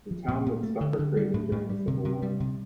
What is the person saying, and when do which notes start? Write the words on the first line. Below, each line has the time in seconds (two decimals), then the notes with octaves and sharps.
The town would suffer greatly during the Civil War.
0.11 F3
0.28 A#2
0.46 A#2
0.63 A3
0.81 D3
0.99 D3
1.17 G3
1.34 A2
1.52 A2
1.70 G3
1.87 C3
2.05 C3
2.22 G3
2.40 C3